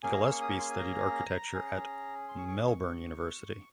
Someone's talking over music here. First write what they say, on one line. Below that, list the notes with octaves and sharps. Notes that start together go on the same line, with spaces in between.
Gillespie studied architecture at Melbourne University.
A#3 C#4 G#4 G#5
A#5
C6
C#6
D#6
C#6
C6
G#5
A#5
C#4 G#4
C6
C#6
C#6
D#6
C#6